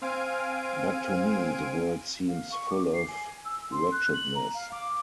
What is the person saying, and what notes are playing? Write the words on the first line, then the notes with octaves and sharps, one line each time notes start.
But to me the world seems full of wretchedness.
C4 F5 G#5 D7 D#7
F5
C#6
D6
C7
G#5
E6
C6
F#6
F#7
A#5
F5
D6